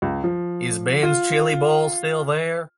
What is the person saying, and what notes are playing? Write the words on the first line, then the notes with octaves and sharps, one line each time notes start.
Is Ben's Chili Bowl still there?
C#2
F3
F4